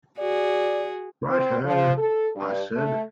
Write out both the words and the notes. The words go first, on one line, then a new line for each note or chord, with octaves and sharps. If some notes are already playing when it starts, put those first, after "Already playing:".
"Right ho," I said.
F#4 G#4 D5
C4
F3
A4
G2
A3